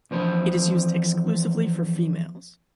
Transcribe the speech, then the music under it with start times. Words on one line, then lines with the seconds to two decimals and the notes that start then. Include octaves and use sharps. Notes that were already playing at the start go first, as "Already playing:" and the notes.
It is used exclusively for females.
0.11 E2 F3 C5 B5